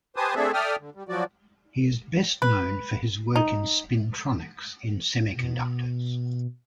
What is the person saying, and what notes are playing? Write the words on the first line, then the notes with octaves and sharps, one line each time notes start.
He is best known for his work in spintronics in semiconductors.
G4 B4 C5 G#5 A5 D#6
A3 C4 D4 G#4 A4 E5
A4 D5 E5 G5 D#6 F6
D3
G3
F3 F#3 F#4 D5
B4
D#4
B2